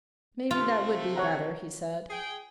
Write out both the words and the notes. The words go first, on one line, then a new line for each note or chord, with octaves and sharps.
"Maybe that would be better," he said.
C3 A3 F4
C#5 F#5 A#5
G#4 G5